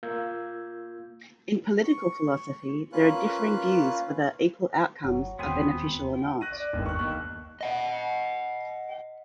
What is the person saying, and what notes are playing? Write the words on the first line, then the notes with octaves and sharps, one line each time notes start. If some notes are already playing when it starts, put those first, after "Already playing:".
In political philosophy, there are differing views whether equal outcomes are beneficial or not.
A#3 F4 E6 G6 G#6
C#6
A#3 C#4 F4 B4 F#6
F#1 F#3
E1 D#2 B3 C4 G#4 G#5 B5 C6
F#6 A#6 D#7
D5
G1 D#2
C#6 F#6
D#2 F#6
D#5 F#5